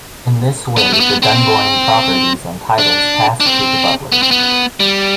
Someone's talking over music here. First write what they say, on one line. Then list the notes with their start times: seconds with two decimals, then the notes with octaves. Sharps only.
In this way, the Dunboyne properties and titles passed to the Butlers.
0.78 B3
0.93 A3
1.00 B3
1.23 C4
2.79 D4
3.40 D4
3.46 C4
4.12 B3
4.23 C4
4.31 B3
4.80 G3